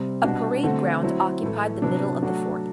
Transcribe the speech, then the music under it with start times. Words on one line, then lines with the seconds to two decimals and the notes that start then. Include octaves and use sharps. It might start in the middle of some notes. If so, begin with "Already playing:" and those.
A parade ground occupied the middle of the fort.
Already playing: C3 G3 C4
0.24 B2 G3 D4 F#4
0.63 D3 A3 C4 F#4
1.03 F#3 C4 E4
1.43 A2 E3 A3
1.82 C3 F#3 B3 D4
2.23 F#3 A3 D4 F#4